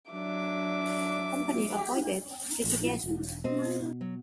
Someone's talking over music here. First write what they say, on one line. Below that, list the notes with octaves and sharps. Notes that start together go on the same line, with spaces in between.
The company avoided Litigation.
F#3 D4 E5 D6
A#1 A#2
E1
B2 C4 D#5
F#3